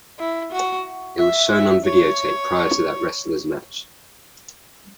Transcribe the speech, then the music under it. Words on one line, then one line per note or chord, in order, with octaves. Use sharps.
It was shown on videotape prior to that wrestler's match.
E4
F#4
E5
E5
C#5